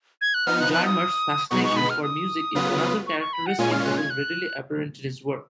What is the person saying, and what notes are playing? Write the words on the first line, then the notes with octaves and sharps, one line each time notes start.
Jarmusch's fascination for music is another characteristic that is readily apparent in his work.
G#6
F#6
F3 B3 D#4 F6
F#6
F#6
D#6
B2 G#3 B3 D#4 C#6
C#6
B5
F6
D#6
C#3 F#3 B3 F4 B4
C#6
C#6
B5
F#5
A#2 G#3 C#4 F4 G#5
F6
F#6
G#6
F#6